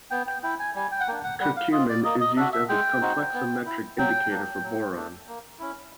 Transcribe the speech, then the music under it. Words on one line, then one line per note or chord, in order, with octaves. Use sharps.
Curcumin is used as a complexometric indicator for boron.
B3 G5
G5
E4 G5
G#5
G3 G#5
G5
F#5
A#3 D4 G5
F#5
G3 F#5
F5
C4 F4 D#5
D5
A#3 D#5
D#5
D4 F#4 E5
E5
G#3 G5
C4 D#4 F#4
B3
E4
F#3 G5
A#3 D4
F#3
A3 D4
A#3
C#4 E4